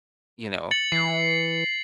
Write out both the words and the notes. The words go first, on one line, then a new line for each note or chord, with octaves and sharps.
you know
A6 C#7 F#7
E3 C7